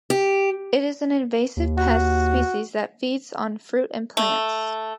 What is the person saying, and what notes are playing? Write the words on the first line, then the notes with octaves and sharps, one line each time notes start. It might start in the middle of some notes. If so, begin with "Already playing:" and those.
It is an invasive pest species that feeds on fruit and plants.
G4
D#2
F#4
A3